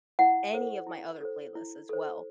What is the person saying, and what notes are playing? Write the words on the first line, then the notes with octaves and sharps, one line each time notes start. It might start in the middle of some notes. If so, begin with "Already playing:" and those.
any of my other playlists as well,
E4 F#5
A4 C5
E4
A4 C5
E4
A4 C5